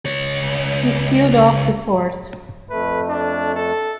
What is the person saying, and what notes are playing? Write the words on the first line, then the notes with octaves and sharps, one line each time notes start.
He sealed off the fort.
C#2 C#5
F2 A3 B4
D4
A4